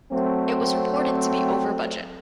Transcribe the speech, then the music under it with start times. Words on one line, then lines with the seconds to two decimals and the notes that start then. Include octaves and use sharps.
It was reported to be over budget.
0.12 F#3 A3 C4